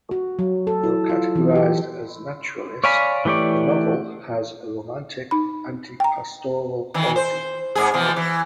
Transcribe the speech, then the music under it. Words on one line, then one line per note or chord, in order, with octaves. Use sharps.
Though categorized as naturalist, the novel has a romantic, anti-pastoral quality.
F#4
F#3
A4
E4
F4
E3
G4
C#5 D5 F5 G#5 B5
E3 A3 G4 C#5 D5
D#4 B5
G5 A#5
D#3 E3
C5
G#2 G#4
B2 E3 F3
E3